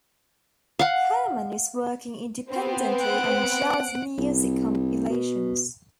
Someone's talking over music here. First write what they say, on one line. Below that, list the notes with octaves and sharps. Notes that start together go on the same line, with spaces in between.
Kerman is working independently on jazz music compilations.
F5 F#5
B3 C4
F#5 D7
C2
B2